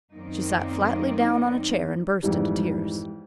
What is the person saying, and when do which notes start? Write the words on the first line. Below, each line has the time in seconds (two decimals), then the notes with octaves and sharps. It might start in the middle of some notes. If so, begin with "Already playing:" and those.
She sat flatly down on a chair and burst into tears.
0.13 F#2 D#3 A#3 C4 D#4 D5
2.23 F2 G#2 E3 G3